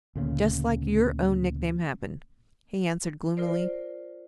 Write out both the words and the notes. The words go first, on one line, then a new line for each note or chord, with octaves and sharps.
"Just like your own nickname happened," he answered gloomily.
D2 A#2 C#3
F4 A#4 C5 D5